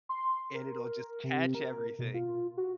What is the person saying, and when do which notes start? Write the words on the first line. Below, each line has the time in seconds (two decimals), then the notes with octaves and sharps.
And it'll just catch everything.
0.09 C6
0.54 A#4
1.24 C3
1.55 A#4
1.99 B2
2.14 F4
2.57 F#4